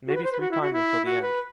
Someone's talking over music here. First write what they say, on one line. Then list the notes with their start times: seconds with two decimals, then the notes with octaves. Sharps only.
Maybe three times until the end.
0.07 F#4
0.15 B4
0.24 C5
0.32 B4
0.40 F#4
0.51 E4
0.62 F#4
0.73 E4
1.05 F#4
1.22 B4